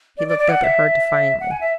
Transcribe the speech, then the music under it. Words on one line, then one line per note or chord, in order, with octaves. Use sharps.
He looked up at her defyingly.
D5
D5
D5
F#5
E5
F#5
G#5
E5